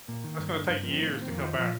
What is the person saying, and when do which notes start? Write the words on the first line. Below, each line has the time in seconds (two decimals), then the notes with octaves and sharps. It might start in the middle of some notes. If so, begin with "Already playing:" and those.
that's gonna take years to come back.
0.08 A#2 A#3
0.24 D#3
0.39 G2
0.54 D3
0.69 G2
0.83 F3 A#3
0.91 C4
0.98 A2 A#3
1.05 C4
1.13 D#3 A#3
1.21 C4
1.28 F2 A#3
1.38 F4
1.43 D#3 F3 D#4
1.58 A#2 F3 F4